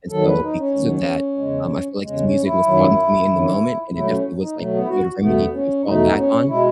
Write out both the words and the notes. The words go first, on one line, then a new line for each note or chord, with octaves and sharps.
and so because of that, um, I feel like his music was talking to me in the moment and it definitely was like a good remedy to fall back on,
D#2 D#3 F#3 A4
B4
D#4
C#4
D#2 D#3 F#3
E2 C#3 G#3
E2 C#3 G#3
C#4
E4
F#2 D#3 F#3
F#2 D#3 F#3
B2 F#3 A3 E4
C#4
D#4
B2 F#3 A3
B3
E4
F#4
E2 B2 A3 B3
C#4
E2 B2 A3 D#4
B3
C#4
B2 G#3 E4